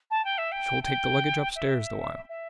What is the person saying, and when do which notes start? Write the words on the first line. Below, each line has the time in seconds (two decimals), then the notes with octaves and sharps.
'She'll take the luggage upstairs the while.
0.10 A5
0.24 G5
0.38 E5
0.52 G5
0.83 G5
1.55 E5
2.29 E5